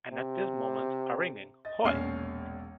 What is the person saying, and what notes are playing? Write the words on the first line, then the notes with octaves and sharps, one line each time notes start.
And at this moment a ringing "Hoy!"
C3
D#5 A6
E1 A#1 C#4 F6 C7